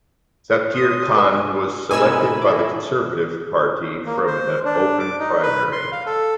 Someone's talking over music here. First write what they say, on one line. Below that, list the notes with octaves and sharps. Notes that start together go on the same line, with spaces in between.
Zakir Khan was selected by the Conservative Party from an open primary.
C6 D#6
B4 G#5 C6 E6
A2 C3 A#3 D#4 A4 G#5 B5 E6
A2 E4 D6
A#3
C5
D4
D6
D#4
B4
C6
F5
A4